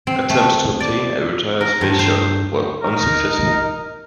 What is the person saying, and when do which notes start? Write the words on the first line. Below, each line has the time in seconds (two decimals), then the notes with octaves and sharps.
Attempts to obtain a retired Space Shuttle were unsuccessful.
0.07 C4
0.30 A3
0.80 D5
1.61 A#4
1.81 G2
1.99 C5
2.83 D#4 A#4